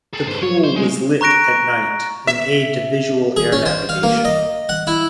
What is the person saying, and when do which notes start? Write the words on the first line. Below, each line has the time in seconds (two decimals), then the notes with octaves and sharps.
The pool was lit at night - an aid to visual air navigation.
0.13 G#4 A4
0.27 G#2 B4 C5
0.42 F#3 C#5
0.64 C5
0.76 G3 G#3
1.21 A#5 C#6 F#6 A#6 D7
2.27 E5
3.36 G#4
3.52 C#4
3.65 C5
3.89 F5
4.03 A#3
4.25 D#5
4.69 F#5
4.87 E4